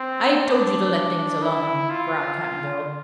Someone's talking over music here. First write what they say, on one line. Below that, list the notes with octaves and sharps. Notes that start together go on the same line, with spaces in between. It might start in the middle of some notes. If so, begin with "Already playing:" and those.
"I told you to let things alone," growled Cap'n Bill.
Already playing: C4
D4
E4
F4